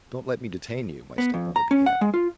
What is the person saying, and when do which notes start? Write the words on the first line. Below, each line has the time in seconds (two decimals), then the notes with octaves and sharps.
"Don't let me detain you," my stepmother began.
1.18 B3
1.34 F2
1.56 A#5
1.71 C#4
1.86 F#5
2.01 G#3
2.14 F4